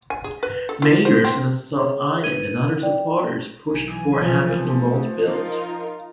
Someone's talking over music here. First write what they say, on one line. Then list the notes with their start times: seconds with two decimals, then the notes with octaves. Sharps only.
Mayors in the South Island and other supporters pushed for having the road built.
0.10 G#5
0.24 G#4
0.43 B4
0.69 A4
0.82 E4
1.05 C5
1.24 C4
1.74 G#4 C#5
2.23 B4 G#6 D#7 G7
2.83 D5 G5
3.72 B1 E3 G#5
4.21 F3
4.73 A3
5.21 D#4 F4 A#4